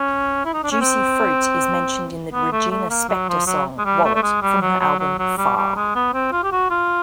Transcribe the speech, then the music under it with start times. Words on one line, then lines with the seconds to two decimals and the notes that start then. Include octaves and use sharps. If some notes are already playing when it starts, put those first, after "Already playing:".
Juicy Fruit is mentioned in the Regina Spektor song Wallet, from her album Far.
Already playing: C#4
0.45 E4
0.53 D#4
0.63 D4
0.71 C#4
0.81 C4
2.33 B3
2.52 A3
2.71 A3
2.90 A#3
3.09 F#3
3.29 F3
3.47 F#3
3.78 G#3
3.85 G3
4.04 A3
4.15 A3
4.23 G#3
4.42 G3
4.61 F#3
4.80 F#3
4.99 F#3
5.19 F#3
5.38 G3
5.56 G3
5.76 G#3
5.95 B3
6.14 C4
6.32 F4
6.43 G4
6.52 F#4
6.71 F4